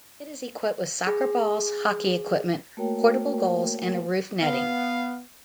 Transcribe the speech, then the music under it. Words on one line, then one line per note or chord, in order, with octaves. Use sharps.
It is equipped with soccer balls, hockey equipment, portable goals, and a roof netting.
G#4
A3 A#3 F#4 A#4 C#5 G5
B3 F5